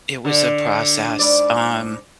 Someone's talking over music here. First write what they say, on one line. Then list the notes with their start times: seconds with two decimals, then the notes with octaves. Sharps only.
It was a process, um
0.25 D3
1.19 G#2 D5